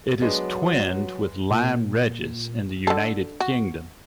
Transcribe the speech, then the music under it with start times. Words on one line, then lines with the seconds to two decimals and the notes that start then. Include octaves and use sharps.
It is twinned with Lyme Regis in the United Kingdom.
0.22 F#3 G#3 B3 D4
1.51 A#2
2.87 D3 A4
3.40 F#4